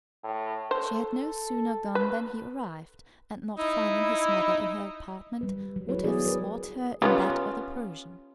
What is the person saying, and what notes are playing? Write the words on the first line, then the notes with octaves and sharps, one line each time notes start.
She had no sooner gone than he arrived, and not finding his mother in her apartment, would have sought her in that of the Persian.
A2
A4 C5
B4
D#4 E4
G3 B4
F#3
E4 F#4 G#4 B4 C#5
F#3 B3 E4 F#4 G#4 D5
A#4 B4 C#5
G3 A#3 B3 C#4 F4